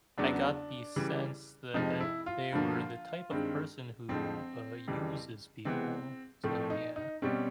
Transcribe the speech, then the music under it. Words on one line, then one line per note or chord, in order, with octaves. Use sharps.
I got the sense that they were the type of person who, uh, uses people, so, yeah.
E2 C#3 F#3 B3 D4
C#3 E3 G3
F2 C3 F3 G#3 D#4
E4
F4
G2 D3 F3 A#3
G2 D#3 G#3 C4
F2 D3 F3 G#3 C4
F2 C#3 E3 G3
C3 E3 G#3 B3 C4
A2 F3 A3 C4
D#4
D#4
B2 G3 C4 C#4